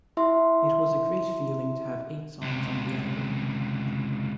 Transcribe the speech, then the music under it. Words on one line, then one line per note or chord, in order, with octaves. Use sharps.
It was a great feeling to have eight songs on the album.
E4 E5 C6
C#2 C3